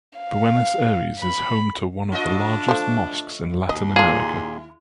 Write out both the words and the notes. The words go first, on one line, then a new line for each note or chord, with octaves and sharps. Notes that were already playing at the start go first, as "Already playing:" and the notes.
Buenos Aires is home to one of the largest mosques in Latin America.
F5
B5
A2 D4 F4 D#5
F3 A3
D#2 D#5
A#2 E4 F4 G#4 A4